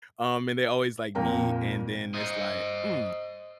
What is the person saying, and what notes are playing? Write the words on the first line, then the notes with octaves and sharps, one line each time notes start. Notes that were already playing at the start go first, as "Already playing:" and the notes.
um, and they always, like, meet, and then it's like, "Mm,
F2 A#2 A#4 G5 A#5
C5 D#5